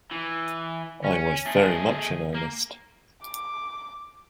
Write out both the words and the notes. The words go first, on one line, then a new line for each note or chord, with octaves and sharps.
I was very much in earnest.
E3
C#4
A3 G#4
A#3
D6